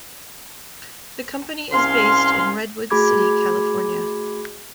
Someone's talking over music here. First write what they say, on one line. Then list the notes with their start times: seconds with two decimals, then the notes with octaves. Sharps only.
The company is based in Redwood City, California.
1.72 C2 C#4 F5 C6
2.90 A3 F#4 G#4 B5 D6 G#6